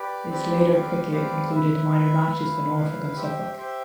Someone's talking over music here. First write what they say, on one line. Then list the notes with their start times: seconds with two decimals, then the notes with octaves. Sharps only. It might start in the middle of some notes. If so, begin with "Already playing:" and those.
His later cricket included minor matches for Norfolk and Suffolk.
Already playing: G4 B4 D5
0.29 C4 G4 B4 D5
0.69 C4 G4 B4 D5 F5
1.10 C4 G4 B4 D5 F5
1.51 E4 B4 E5
1.92 E4 B4 E5
2.33 E4 B4 F5
2.74 E4 B4 F5
3.16 G4 C5 E5 G5
3.56 G4 C5 E5 G5